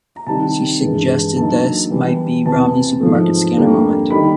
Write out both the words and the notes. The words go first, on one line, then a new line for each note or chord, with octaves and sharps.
She suggested this might be Romney's supermarket scanner moment.
A#5
C3 D#3 G3 A5
G2 E3 G#3
D3 F#3 A#3 D#4 A5
E3 G3 B3
E2 C3 E3 A5
G#2 F3 A3
F2 D3 G3 A#3
D#3 G3 A#3 D#4 B5